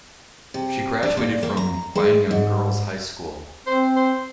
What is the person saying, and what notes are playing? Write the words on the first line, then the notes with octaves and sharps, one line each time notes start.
She graduated from Gwangyoung Girls' High School.
C3
D4
A#2
A#3
A#5
G#3
G#2
C4 C5
C5